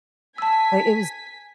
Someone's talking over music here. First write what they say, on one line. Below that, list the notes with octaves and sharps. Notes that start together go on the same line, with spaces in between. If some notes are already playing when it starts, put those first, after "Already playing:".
Like, it was
G#5 A5 E6 B6